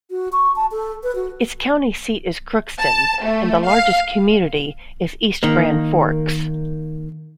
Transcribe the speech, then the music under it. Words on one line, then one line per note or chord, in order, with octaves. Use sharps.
Its county seat is Crookston, and the largest community is East Grand Forks.
F#4
C#6
A5
A4
B4
F#4
A5
A3
F5
D#3 A#3